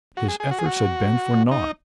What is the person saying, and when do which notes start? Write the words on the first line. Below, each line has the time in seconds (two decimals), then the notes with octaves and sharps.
His efforts had been for naught.
0.17 F#4
0.28 G#4
0.40 G#4
0.51 F#4
0.59 G#4
0.66 F#4
1.51 D#4